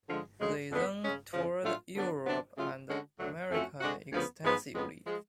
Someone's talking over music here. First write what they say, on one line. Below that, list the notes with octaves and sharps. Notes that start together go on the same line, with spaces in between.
They then toured Europe and America extensively.
D3 F3 G#3
D2 C#3 F3 G#3
F2 D3 G#3 B3
C#3 G#3 C#4
F2 C#3 F3
A2 F#3 A3 D4 F4
D3 F#3 B3 D4
D3 F#3 B3 D4
C#3 F#3 A3 F4
D3 G#3 C#4 F#4
D2 D3 F#3 A3
F2 F3 A3 C#4 F#4
D3 G#3 D4 F#4
D2 C#3 F3 B3
G#2 F3 G#3 B3
F2 C#3 G#3 B3
F3 G#3